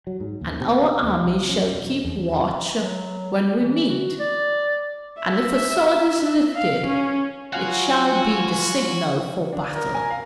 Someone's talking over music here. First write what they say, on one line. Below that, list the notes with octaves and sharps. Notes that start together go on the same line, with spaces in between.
"And our armies shall keep watch when we meet, and if a sword is lifted it shall be the signal for battle."
F#3
G#2
D#2
C3
D#2
C2
C#4
E1
E2
F#3
E3
F#4
D5
E5
F5
C#4
F#3 F4 F#4 F5 F#5 G#5
D4
A#4
G#5
F5